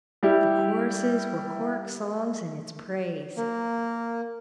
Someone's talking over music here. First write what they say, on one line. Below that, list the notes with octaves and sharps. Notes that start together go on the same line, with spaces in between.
The choruses were choric songs in its praise.
G3 E4 G4
A#3